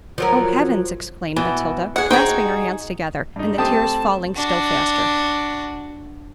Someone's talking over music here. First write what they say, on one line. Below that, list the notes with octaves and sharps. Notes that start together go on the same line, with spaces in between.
"Oh Heavens!" exclaimed Matilda, clasping her hands together, and the tears falling still faster.
F3 F#3 A#4
B2 E3
F#4 G#4 F#5
D#4 F#4 G#4 C5 G5
G2 D#4
A3 C4 G4 A5 D#6
D4 F#4